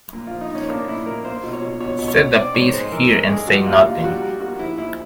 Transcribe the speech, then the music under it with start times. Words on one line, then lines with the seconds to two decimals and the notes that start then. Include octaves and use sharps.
Set the piece here and say nothing.
0.13 A#2
0.27 F3 F4
0.41 D#4
0.50 A#2 C#4
0.69 A#3 D4
0.87 A#2 E4
1.06 A#2 A#4
1.24 A#3 C5
1.44 B2
1.53 C#5
1.62 B2
1.80 B2 C#5
1.99 B2
2.08 C#5
2.18 B2
2.36 C4 D5
2.54 G#2 C#5
2.73 G#3 C5
2.92 E3 A#4
3.11 G#3 A#4
3.29 G#3 G#4
3.48 G3 F#4
3.66 A#2 F4
3.85 A#2 F4
4.04 G3 F#4
4.22 G3
4.41 A#3 F#4
4.59 F3 E4
4.78 A#2 E4